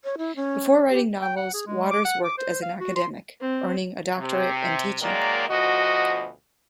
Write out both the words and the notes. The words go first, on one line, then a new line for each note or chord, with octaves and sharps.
Before writing novels, Waters worked as an academic, earning a doctorate and teaching.
C#5
E4
C#4
G4
G5
F#5
G#4
G#3
D6
F#5
D6
C5
F5
F#4
C6
C4
C3
D#3 F#3 G#3 A#3 A#4 D5
D2 B2 F3 F#4 D#5